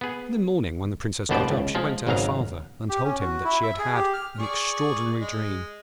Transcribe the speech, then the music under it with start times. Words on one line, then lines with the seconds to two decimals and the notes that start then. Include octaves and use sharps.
In the morning when the Princess got up, she went to her Father, and told him that she had had an extraordinary dream.
0.01 B3 G#4
1.29 A1 D#2 B2 B3 C5 D5
1.49 C#2
1.75 F3 G#3
2.07 G#1 G#2 C#3 F#3 F5 A#5
2.89 G4
3.04 C#4
3.20 F#4
3.44 E4
3.63 E5
3.79 G#4
3.94 G4
4.13 F6
4.39 G#4 D5 C#6
5.21 G#3